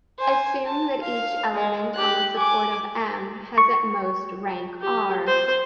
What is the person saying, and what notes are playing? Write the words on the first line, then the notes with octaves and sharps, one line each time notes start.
Assume that each element on the support of "M" has at most rank "r".
C5 G#5
A5
F5
G#3
G4 F#6
G#5 D6
C#6
G4
C5